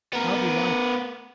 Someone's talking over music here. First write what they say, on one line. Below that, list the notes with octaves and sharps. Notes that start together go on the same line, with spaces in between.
How delightful!
B3 A#4